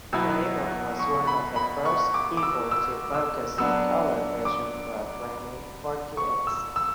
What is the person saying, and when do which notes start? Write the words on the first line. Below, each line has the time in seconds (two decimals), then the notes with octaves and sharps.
Laybourne was one of the first people to focus on television programming for kids.
0.13 B2 F#3 B3 E4 E6
0.99 C#6
1.27 B5
1.56 B5
1.85 C#6
2.14 D6
2.37 D6
2.43 E6
2.71 E6
3.14 E6
3.58 F#3 B3 D4 E6
4.45 D6
6.17 C#6
6.47 E6
6.76 E6